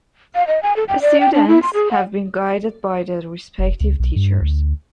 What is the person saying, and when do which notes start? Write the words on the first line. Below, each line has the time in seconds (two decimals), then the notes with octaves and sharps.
Students have been guided by the respective teachers.
0.35 F5
0.47 D#5
0.63 G#5
0.76 A4
0.88 G5
1.02 D5
1.20 G5
1.34 D4
1.48 E4
1.63 C6
1.74 G#4
1.91 F#5
3.59 F1
3.81 C#2
4.00 B1
4.16 G2
4.41 D2